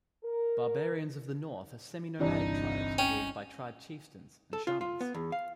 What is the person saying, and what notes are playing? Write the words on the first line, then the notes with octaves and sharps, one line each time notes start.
Barbarians of the North are semi-nomadic tribes ruled by tribe chieftains and shamans.
A#4
G1 C2 C3 E3 D4 D#4
C#4 G5
A4
F4
F4
B3
E2
F5